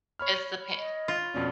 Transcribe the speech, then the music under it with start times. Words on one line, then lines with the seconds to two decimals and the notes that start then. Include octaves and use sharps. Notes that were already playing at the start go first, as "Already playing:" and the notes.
It's the pa
0.19 C#5 B5 F6
0.78 D#5
1.08 F4
1.34 F2 B2 C#4 D5